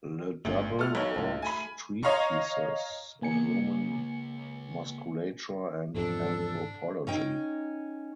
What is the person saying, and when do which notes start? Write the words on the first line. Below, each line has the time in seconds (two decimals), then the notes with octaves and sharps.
Le Double wrote treatises on human musculature and anthropology.
0.45 G1 D2
0.79 A3 B3 F4 A4 F6
0.95 B1 A4 A#4 C#5
1.16 C#2 A2
1.42 A3 G#5 B5
2.03 C#5 D#5 F5 A#5 C#6
3.22 C#2 A#3 G#5 C#7
5.95 E1 F2 G#2 C3 D4 A4
7.07 C#4 D#4 G5